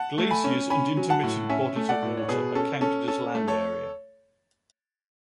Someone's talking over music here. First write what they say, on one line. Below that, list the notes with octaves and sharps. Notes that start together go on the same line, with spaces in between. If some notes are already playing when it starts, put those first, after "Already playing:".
Glaciers and intermittent bodies of water are counted as land area.
Already playing: F#5 A5
A3
G#5 B5
C#4
C#4 G#5 B5
F#3
F#5 A5
A2
C#4 E5 G#5
A3
D5 F#5
A2
C#5
B2 G#4 B4
C#4 A4
C#4 A4
C#4 A4
A3
A4 C#5